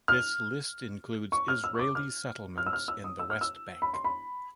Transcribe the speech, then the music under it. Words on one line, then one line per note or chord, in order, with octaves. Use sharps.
This list includes Israeli settlements in the West Bank.
F6
C#6
F6
E6
C#6
D6
F6
F6
E6
F6
E6
D#6
E6
F6
E6
B5
C6
B5